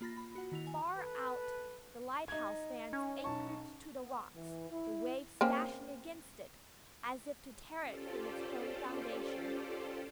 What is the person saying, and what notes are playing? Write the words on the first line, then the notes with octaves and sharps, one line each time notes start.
Far out the lighthouse stands anchored to the rocks, the waves dashing against it, as if to tear it from its firm foundation.
A#3 F4 B5 A6 A#6
B5
F#4 F#5
D#3 E4 F7
G#5
A4 B4
D#4 G#6
C#4
B1 A5 C#6
B3
E3
E4
A#3 C4 C#4
C#4 F4 G4 A4 C5 D5